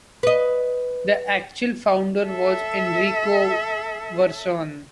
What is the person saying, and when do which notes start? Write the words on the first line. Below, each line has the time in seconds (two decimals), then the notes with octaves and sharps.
The actual founder was Enrico Verson.
0.23 B4 D#5
2.24 A4 E5